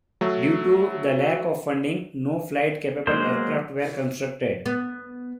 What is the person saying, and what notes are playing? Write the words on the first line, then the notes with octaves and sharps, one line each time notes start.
Due to the lack of funding, no flight-capable aircraft were constructed.
F#3 A3
F#3 G#3 A#3 C5
B3